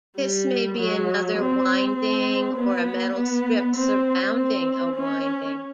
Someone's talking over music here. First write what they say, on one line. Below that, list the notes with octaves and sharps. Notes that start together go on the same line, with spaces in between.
This may be another winding or a metal strip surrounding a winding.
G3
F#3
C4
C4
B3
B3
C4
C4
C#4